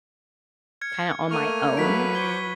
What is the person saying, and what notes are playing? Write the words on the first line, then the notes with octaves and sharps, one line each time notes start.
kinda on my own,
F6 G#6 C#7
A3 A#3 C#6 F6 D#7
F#3 B4 B6 D7
C5 C#6 D6 G#6 G7